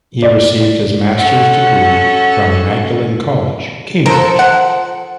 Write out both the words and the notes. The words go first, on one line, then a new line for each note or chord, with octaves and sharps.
He received his Master's degree from Magdalene College, Cambridge.
D5
C#4 F#4 A4 F#5
F3 A4 A#4 C5
F#5